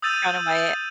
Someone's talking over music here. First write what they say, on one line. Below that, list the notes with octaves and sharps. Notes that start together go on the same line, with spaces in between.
brown or white?
D#6 E6 G6 A6 D#7 F7